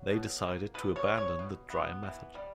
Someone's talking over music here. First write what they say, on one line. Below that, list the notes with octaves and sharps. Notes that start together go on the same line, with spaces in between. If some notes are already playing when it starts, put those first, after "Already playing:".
They decided to abandon the dry method.
Already playing: F#3
B2
A#3
B2 B4
C#5
G#3
C#5
B2
B3
E3
G3